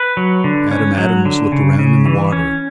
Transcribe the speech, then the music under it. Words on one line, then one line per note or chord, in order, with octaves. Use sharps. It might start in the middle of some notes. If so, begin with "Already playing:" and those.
Adam Adams looked around in the water.
Already playing: B4
F#3
D3
C#4
F#3
D3
C#3
C#3
E3
C#4